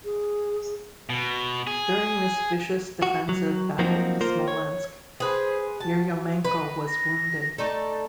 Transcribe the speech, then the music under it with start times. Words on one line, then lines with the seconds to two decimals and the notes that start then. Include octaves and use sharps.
During this vicious defensive Battle of Smolensk, Yeryomenko was wounded.
0.05 G#4
1.09 B2
1.67 G#4
3.02 F#4
3.29 F#3
3.79 F3 F#3 A#3 C4 D#4 F#4
4.21 A#3 F4 A#4 C5
4.48 C#5
5.20 G#4 B4 C5
5.80 F#4 A5
6.45 B4 D#5
6.86 A#6
7.58 A3 D#4 A4 D5